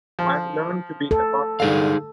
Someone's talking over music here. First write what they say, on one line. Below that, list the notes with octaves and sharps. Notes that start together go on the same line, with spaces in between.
I've learnt to be a part of the family.
F3
A4
G2 D3 D#4 G#4 F5